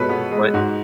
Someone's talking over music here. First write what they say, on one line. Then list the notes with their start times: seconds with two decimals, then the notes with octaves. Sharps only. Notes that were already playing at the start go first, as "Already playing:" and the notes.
at this point?
Already playing: B2 G#3 A4 B4 C#5
0.09 B3
0.31 G#3
0.54 G#2 F#4